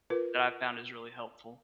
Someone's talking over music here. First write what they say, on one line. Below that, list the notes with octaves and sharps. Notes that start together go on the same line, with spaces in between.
that I found is really helpful.
F4 A#4 B4